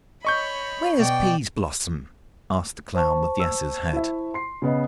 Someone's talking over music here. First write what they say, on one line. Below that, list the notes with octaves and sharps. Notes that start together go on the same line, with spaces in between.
"Where's Peaseblossom?" asked the clown with the ass's head.
C#5 D#5 B5 C#6 G6
B2 D5 G5
C5 A5 C#6
E6
E4 E5
C6 C7
C#3 B3 D#5